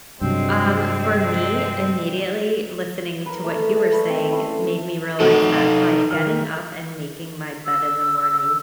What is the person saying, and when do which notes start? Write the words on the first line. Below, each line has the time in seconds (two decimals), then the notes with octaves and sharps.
Um, for me, immediately listening to what you were saying made me realize that by getting up and making my bed in the morning,
0.21 G2 C3 F#3 G#3 C4 D4
3.26 A#4 B4
3.44 A3 D5
3.77 A5
3.92 A3 B4
4.09 C4
4.32 A3 C#4 E4 F5
5.20 A3 C4 D#4 F#4 A4
5.57 F5
6.11 D#3 F6
7.66 E6